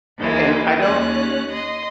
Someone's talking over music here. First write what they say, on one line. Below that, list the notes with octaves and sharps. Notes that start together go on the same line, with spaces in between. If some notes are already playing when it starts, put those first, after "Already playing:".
and I don't
D#2 E3 G#3 A#3
D#2 C#4 F#6
D#5 C6